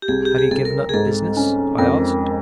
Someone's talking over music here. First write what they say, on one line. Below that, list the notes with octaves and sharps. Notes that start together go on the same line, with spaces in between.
"Have you given up the business?" I asked.
G4
C2 G#4
G4
G#4
C2 A4
A#4
G#4
G#2 A4
C#4
F2 A#4